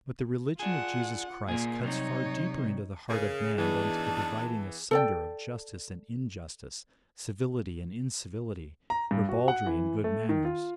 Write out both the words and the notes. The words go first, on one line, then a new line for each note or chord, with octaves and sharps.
But the religion of Jesus Christ cuts far deeper into the heart of man than to the dividing asunder of justice and injustice, civility and incivility, ribaldry and good manners.
D4 F4 G#4 F#5
A#2 A#3 G#4
C3 F#3 G3 D#4 C#5
C#3 G#4 A#4
E3 B3 D4 D#4 A5
A4 D5 G5
A#5
G2
F#4
F#5
E3
A3
D#3
F4